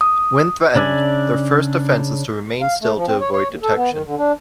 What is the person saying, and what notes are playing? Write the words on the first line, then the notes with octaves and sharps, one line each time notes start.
When threatened, their first defense is to remain still to avoid detection.
D#6
C#3 D4 D5 E5 G#5
F5
A3
F3
C4
C#5
C#5
D#2
A4
B3
D#3
D3
D4